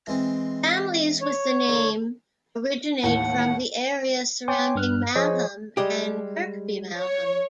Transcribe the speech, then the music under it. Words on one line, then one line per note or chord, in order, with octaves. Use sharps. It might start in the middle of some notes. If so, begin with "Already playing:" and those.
Families with the name originate from the area surrounding Malham and Kirkby Malham.
E3 G#3 C4
C#5
D3
D#2 A2 E3 F#5
C#5 G5 G#5 C6 D6
G2 F6 F#6
F3 G#4 C5 C#5 D#5
G3 G#3 G4
C#5